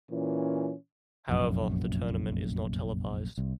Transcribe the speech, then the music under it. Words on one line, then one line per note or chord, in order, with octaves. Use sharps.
However, the tournament is not televised.
A#2 E3 C#4
F1 A#1 F#2
C2